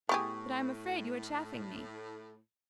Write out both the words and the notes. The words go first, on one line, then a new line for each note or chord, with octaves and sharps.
"But I am afraid you are chaffing me."
A2 B3 G4 G#4 C#6